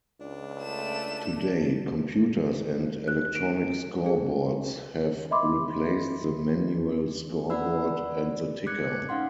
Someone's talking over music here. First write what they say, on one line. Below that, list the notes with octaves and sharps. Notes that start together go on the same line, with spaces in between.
Today, computers and electronic scoreboards have replaced the manual scoreboard and the ticker.
C#2 D4
A3 E7
F#6
D7
G#4
D#5 E5 B5 C6 D6
D5 F#5 B5 E6
D6 F#6 G#6 C#7
C#4 D#4 F5 F#5 C6